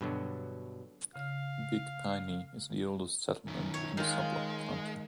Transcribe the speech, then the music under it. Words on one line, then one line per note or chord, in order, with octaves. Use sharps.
Big Piney is the oldest settlement in Sublette County.
G2 B2 D3 F#3
C#3 F5 F6
F#2 D#3
C#5
D#3 G#3 F4